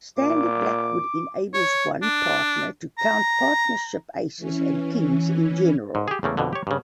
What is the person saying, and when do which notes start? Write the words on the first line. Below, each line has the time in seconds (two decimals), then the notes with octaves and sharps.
Standard Blackwood enables one partner to count partnership aces and kings in general.
0.18 A#2 D6
1.54 C#5
2.02 D4
2.98 A#5
4.38 E3 C#4
5.95 G#2
6.08 G4 G#4
6.23 E2 C#3 A3 A#3
6.37 F2 B2 D3
6.53 G4 C#5
6.67 G2 C#3